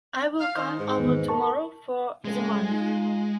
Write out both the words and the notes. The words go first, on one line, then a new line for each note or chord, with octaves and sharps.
I will come over tomorrow for the money.
F5
D#3 C5 D#5
G#2
E2 D#3 B3
A#4 A5 C#6
A2 C#3 F3 G#3
D#4 F4